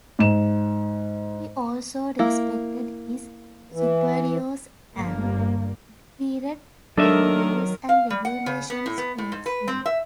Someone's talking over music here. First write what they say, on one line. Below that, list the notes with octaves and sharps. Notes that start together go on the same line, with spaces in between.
He also respected his superiors and adhered to rules and regulations faithfully.
G#2 E7
A#3 E4
E3
G1 G2 G3 A#3
D#3 F#3 D4 A4 A#4 D#5 E5
F5
G3
F#5
C#3
B3
A2
B3
A2
G#2
B4
C4
E5